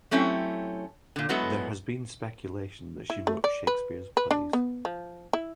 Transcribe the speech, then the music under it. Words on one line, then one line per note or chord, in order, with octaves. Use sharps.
There has been speculation that she wrote Shakespeare's plays.
F#3 A3 C4 C#4 E4 G4
A#2 D3
F#3 G#3 B3 E4 F#4 A4
E4
A3
D5
B4
B4
D4
B3
F3
E4